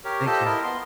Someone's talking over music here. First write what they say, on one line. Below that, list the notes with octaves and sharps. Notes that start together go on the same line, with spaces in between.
Thank you.
G4 A#4 C#5
F4 G4 A4 C5 D#5 A5
E4 A#4 D#5
B3 C6